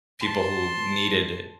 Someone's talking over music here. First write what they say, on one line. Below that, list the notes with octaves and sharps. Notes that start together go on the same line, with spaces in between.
people who needed it
A5 C6